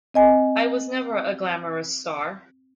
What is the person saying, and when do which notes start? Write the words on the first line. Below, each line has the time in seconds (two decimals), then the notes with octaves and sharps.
I was never a glamorous star..
0.14 C4 D#5 G#5